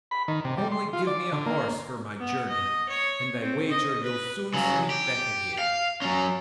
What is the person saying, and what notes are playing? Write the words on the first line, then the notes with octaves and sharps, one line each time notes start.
Only give me a horse for my journey, and I wager you'll soon see me back again.'
B5
D#3
C3
G3
C6
F4
D5
D3
A#3
B3
D#5
C#5
C4
D#5
B4
C#3 F#3
G4
F5
F#3 C#4